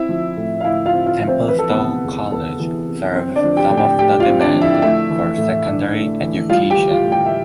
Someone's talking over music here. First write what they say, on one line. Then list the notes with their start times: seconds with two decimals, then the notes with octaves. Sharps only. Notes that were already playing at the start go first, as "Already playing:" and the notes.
Templestowe College serves some of the demand for secondary education.
Already playing: C4 E4 E5
0.09 F3
0.37 A2
0.60 F5
0.64 A2 E4 E5
0.85 F4 F5
0.93 C4
1.06 F4 F5
1.20 F3
1.27 C4 C5
1.48 E3 B4
1.59 A4
1.70 B3 B4
1.76 C3
2.04 E2
2.32 B3 A4
2.60 E3
2.88 C3
3.15 C4 C5
3.36 D4 D5
3.44 F3
3.57 G4 G5
3.70 A2
3.77 G4 G5
3.99 A2 G4 G5
4.20 F4 F5
4.26 C4
4.41 D4 D5
4.54 F3
4.61 E4 E5
4.82 A3 E4 E5
5.10 E3
5.38 A2
5.66 D4
5.94 A3
6.21 E3
6.49 G3 F4 F5
6.70 G4 G5
6.77 E3
6.91 F4 F5
7.05 A2
7.12 G4 G5
7.26 E5